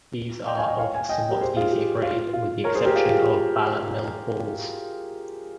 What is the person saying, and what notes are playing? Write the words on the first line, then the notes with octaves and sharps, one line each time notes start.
These are of somewhat easier grade, with the exception of Bala Mill Falls.
D#5 G5
F5 G#5
D#5 G5
C#5 F5
F5 G#5
D#5 G5
G4 A#4
G#4 C5
F4 G#4
G4
F4
F4
A#4 C#5
G#4 C5
G4 A#4
F4 G#4
G4
F4